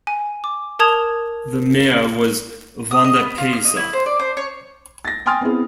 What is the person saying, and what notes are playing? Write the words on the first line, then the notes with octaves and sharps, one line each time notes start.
The mayor was Vondapeysa.
G#5
D6
A#4 A5 D#6 G#6 F7
D#6
D#5
B3
F4
F6
D#5
E4
C5
D5
C5
C#5
A6 A#6
G5 G#5 C6 D#6 F6 A6
B3 C4 E4 G#4